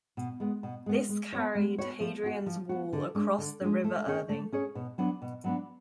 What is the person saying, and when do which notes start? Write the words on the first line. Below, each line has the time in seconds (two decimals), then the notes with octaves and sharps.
This carried Hadrian's Wall across the River Irthing.
0.17 B2
0.40 G#3 B3
0.63 B2
0.86 G#3 B3
1.09 G#3
1.33 B3 F#4 C#5
1.55 G#3
1.78 B3 F#4 C#5
2.00 F3
2.24 B3 F#4
2.46 F3
2.69 B3 F#4
2.93 D3
3.15 G#3 D4
3.38 D3
3.61 G#3 D4
3.84 A3
4.06 C#4 G#4 C#5
4.29 A3
4.52 C#4 G#4 C#5
4.75 B2
4.98 F#3 B3 D4
5.22 B2
5.44 F#3 B3 D4